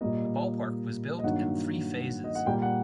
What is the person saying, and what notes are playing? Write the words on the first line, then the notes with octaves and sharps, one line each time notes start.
The ballpark was built in three phases.
A#2 G3 A#3 D#5
D#5
G2 D#3 F#3 A#3 F#5
D#5
F#5
A#2 G3 A#3 G5
F#5